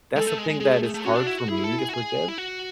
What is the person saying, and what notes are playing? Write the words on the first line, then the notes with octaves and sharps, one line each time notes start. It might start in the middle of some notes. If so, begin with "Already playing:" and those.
that's the thing that is hard for me to forgive
G#3 A4
A3
G#3
G#3
G#3 G#4
A3
A3
A3
C#4 F#4
D4
E4
F#4
E4 G#4
A4
G#4
F#4
G#4
E4
F#4